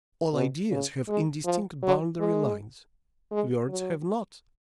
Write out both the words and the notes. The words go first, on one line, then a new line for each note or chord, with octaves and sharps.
All ideas have indistinct boundary lines, words have not.
B2
C#3
G#3
F3
F#3
G#3
G#3
F#3